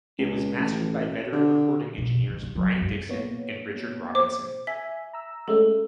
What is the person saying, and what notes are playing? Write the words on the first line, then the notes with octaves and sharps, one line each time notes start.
It was mastered by veteran recording engineers Brian Dixon and Richard Robinson.
C#2
A1
D3
B2
C#3
D3
D3
F#3
G2
A#3 B3 C#5
C5 D6
E5 G#5 B6
A#5 E6
G#3 A3 C#4 A4